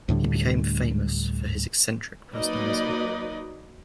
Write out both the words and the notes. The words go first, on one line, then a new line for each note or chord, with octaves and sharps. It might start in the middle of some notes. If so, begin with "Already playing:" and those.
He became famous for his eccentric personality.
D2 A2 D3 G3
F#3 A#3 D#4 B4 D5 D#5